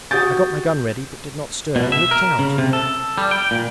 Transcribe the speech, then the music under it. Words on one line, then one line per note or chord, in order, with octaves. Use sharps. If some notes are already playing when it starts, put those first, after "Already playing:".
I got my gun ready but did not stir, and looked out.
F#4 G4 D#6 G6 A6
B2
E5
A#4
C#3
C3
A4
G3
G5
A#2